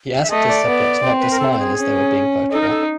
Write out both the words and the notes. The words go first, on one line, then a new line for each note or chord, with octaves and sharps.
He asked his subjects not to smile as they were being photographed.
E5
A3 D#5
D5
B3
C4
B4
A#4
A4
A4
G#4
C#4
D#4 A4
A#4
A4